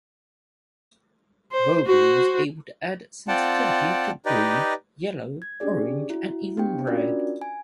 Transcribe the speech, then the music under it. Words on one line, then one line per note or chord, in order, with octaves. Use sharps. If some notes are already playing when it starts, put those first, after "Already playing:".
Vogel was able to add sensitivity to green, yellow, orange and even red.
C5
F#4 C5
C4 F4 D5 F#5 G5 A5
D#4 G4 B4 D5 D#5
G#6
C#4 D4 G4 G#4 D5
E4 F#4
B3 D4 G4 G5
C#4 D4 F4 F#4 A#4 D5
G#5